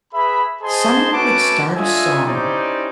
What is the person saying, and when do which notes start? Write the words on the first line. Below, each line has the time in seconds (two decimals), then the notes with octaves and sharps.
someone would start a song.
0.13 G#4 B4 E5 B5
0.61 G#4 C5 D#5 G#5 A5 C6
1.11 A3 C#4 F#4 B4 A5 D6
1.75 D4 F4 A4 D#5 E5 G#5
2.25 C#4 D#4 E4 G4 C5 D5